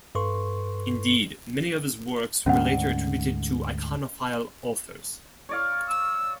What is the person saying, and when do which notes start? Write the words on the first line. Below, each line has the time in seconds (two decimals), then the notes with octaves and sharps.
Indeed, many of his works were later attributed to iconophile authors.
0.15 G2 A4 B4 C6 C#6
2.46 D2 G#2 C#4 F#5
5.49 C#5 D5 F5
5.88 E6